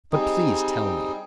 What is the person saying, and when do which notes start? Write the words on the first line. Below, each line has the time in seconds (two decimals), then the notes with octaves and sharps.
"But please tell me."
0.12 G3 C4 D#4 G#4